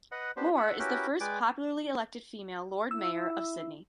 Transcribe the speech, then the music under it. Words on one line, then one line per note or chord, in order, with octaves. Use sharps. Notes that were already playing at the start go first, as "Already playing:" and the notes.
Moore is the first popularly elected female Lord Mayor of Sydney.
B4 D#5 F#5
B3 D4 G4 C5
E5 F#5
C#4 E4 F#4 G4 A#4 B4
G#3 B4 D5 G5 G#5 D6
E4 E6